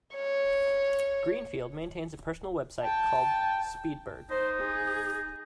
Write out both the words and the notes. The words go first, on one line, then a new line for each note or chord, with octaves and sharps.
Greenfield maintains a personal Web site called Speedbird.
C#5
G5 A5
D#4 C5
G#4